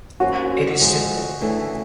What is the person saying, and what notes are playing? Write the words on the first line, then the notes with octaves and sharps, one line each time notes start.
It is simple.
F3 A#3 C#4 F#4
D3 F3 G#3
D2 C#3 E3 A3 D4